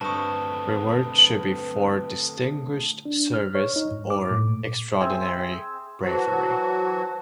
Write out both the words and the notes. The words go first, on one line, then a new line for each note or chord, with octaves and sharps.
Rewards should be for distinguished service or extraordinary bravery.
G2 D3 A3 C4 B4 A5 C#6 D#6
D4
F6
C#5
D#4
G#2
D6
A2
A#2
C4 G#4 E5
E3 F#3 F#4 C5 A5